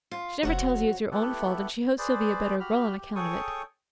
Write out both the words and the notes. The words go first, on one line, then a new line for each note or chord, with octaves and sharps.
She never tells you it's your own fault and she hopes you'll be a better girl on account of it.
F4
F1 F2 F#4 C#5
A3 B3 E4 G4 A4 F#5
G#4 B4 C5 D5
F#4 G4 B5 F6
G4
G#4 A4 C#5 G5 C#6 D#6